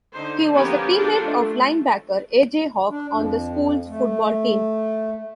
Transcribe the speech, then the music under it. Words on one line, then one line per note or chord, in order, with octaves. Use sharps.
He was a teammate of linebacker A. J. Hawk on the school's football team.
D3 D#4 C5
F3 A#3 B3 C#4 G4 A#4
D4 F4 G4 A4 A#4
A3
D4
F2
A3